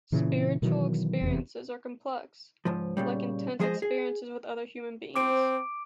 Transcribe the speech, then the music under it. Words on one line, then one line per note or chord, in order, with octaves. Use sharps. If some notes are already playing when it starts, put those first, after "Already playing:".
Spiritual experiences are complex, like intense experiences with other human beings.
A#2 C#3 E3
B2 D#3 E3 F#3
F1 E2 C3
C#2 G#2 F3
A#2 C#3 G3
F3 G#3 G#4 B4 C5 D#5
G#4
C4 C5 D6 D7